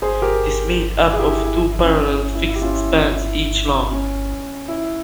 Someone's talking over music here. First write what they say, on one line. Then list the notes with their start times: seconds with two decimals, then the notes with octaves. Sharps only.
It is made up of two parallel fixed spans, each long.
0.02 G#4 C5
0.22 G4 A#4
1.13 G#4
1.19 E4 G4
1.44 E4
1.71 E4
1.83 C#4
2.35 E4
2.49 E4
2.56 G4
2.62 C#4 F4
2.75 E4
2.93 C#4
3.14 E4
3.92 C#4
4.68 E4